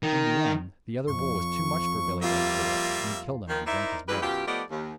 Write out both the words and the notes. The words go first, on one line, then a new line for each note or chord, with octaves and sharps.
In the end, the other bull was too much for Billy Beg's bull, and he killed him and drank his blood.
D#3
F2 C#6
G3 A#3 F4 E5
D#3 F3
D#4 E4 A#4 C5 D5 E5
F#2 E3 G#3 G4 B4
F#2 B2 F4 G4
F3 A3 B3 G4 D5 D#5
D#2